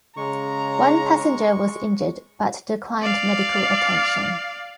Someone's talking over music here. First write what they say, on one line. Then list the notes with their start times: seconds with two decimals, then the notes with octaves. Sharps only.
One passenger was injured, but declined medical attention.
0.17 C#3 G#3 A#5 C#6
3.02 D5 F5